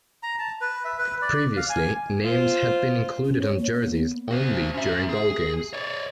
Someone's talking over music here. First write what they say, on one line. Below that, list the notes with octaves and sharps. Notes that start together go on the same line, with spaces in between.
Previously, names had been included on jerseys only during bowl games.
A#5
A5
B4
E5
B4
D5
F5
G#5
F4 C5
C#4
C#5
A#3
A#3
B3
F#4 C5
C#4 E5
G#4
C#5 D5